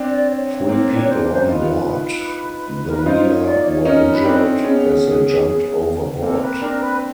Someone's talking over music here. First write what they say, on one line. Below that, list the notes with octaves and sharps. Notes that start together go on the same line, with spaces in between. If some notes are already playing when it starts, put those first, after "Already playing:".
Three people on board the wheeler were injured as they jumped over board.
Already playing: C4 D4
D5
C#5
C#5
A#3 C4 C#5
C4 D4
C5
C4 D4
D#4 F4 B4
A#4
B4
D#4 F4 C5
C#5
D5
C#5
C#4 D#4 A#4
B4
C4 D4
A4
B3 C#4 G#4
A#3 C4 A4
B4
C4 D4 A#4
B4